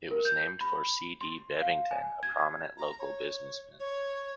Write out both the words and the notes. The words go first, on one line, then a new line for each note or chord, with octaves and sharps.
It was named for C. D. Bevington, a prominent local businessman.
A#4
G6
B5
C6
F5
G#5
G#6
A#5
C#5
C#5